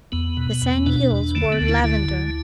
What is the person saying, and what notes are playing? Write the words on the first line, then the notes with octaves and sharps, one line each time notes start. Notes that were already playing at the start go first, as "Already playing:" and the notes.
The sand hills were lavender.
E2 B3
B2
E2
B2 D4
E2
D3 A3
B3
D2
E4
D3 E4
D2